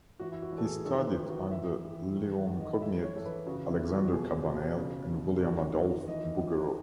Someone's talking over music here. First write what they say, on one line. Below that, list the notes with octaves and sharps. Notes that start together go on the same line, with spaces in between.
He studied under Leon Cogniet, Alexandre Cabanel and William-Adolphe Bouguereau.
E3 F#4
E4
F#4
E3
A4
G#4
D#3 A4
B4
D#3
F#4
E3 E5
E3
D#3
F#5
D#3
D#5
E3 E5
C#5
E3 A4
B4
C#3 F#4
E4
E2
F#4
B2 G#4
B2
C#3
E2
D#3 F#4
D#3
E3 D#5
E3